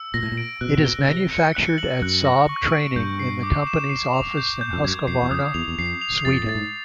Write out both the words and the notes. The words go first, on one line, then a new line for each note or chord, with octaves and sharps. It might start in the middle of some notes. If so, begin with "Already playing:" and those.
It is manufactured at Saab Training in the company's office in Husqvarna, Sweden.
Already playing: E6
A#2 A#6
A2
A#2
D7
B2 F#6
C3
B2
G7
C#3
C3 A#6
C#7
F#6
F#7
F#2 F#6
A#6
C#6
D7
G2 G6
C7
D6
E7
C7
F7
G6
G6
F2
F#2 G#6
F2 C7
E2
F2 D#6
E2 F7
E2
F2 C7
F7
F2 A6
A2 A6
G#2